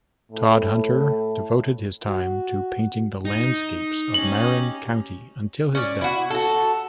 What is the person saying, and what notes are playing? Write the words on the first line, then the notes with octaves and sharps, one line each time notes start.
Todhunter devoted his time to painting the landscapes of Marin County until his death.
A2
F#4
D#4
C#4 G4 F#7
C#4 D5
E4 F#4
F#4 A4